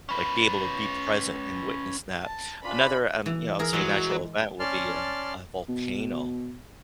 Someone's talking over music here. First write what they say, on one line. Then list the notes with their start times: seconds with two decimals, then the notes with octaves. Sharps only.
like, be able to be present and witness that. Another, um, you know, I would say natural event would be, um, a volcano
0.09 C#4 B4
2.25 A5
2.64 C#4 D4 F4 D5 B5
3.26 E3
3.59 E3 G#4 A#4
3.73 E3 F#3 G#3 D#5
4.60 C#4 D5 A5 C6 F6
5.69 B2